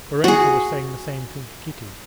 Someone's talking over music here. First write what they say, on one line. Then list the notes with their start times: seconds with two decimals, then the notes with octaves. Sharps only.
Varenka was saying the same thing to Kitty.
0.24 F#4 G#4